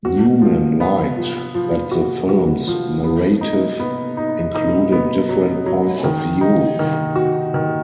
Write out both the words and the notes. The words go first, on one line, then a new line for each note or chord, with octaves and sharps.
Newman liked that the film's narrative included different points of view.
F#4
F3
B3
F3
F3
F#4
F#4
F3
B3
D#4
B3
D#4
D#4
B3
F#3
F#3
D#3
D#4
D#3
F#4
D#3